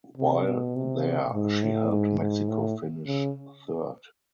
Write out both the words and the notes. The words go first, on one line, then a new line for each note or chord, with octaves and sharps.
While there she helped Mexico finish third.
C3
B2
C3
G#2
A2
G#2
G#2
A2
C#3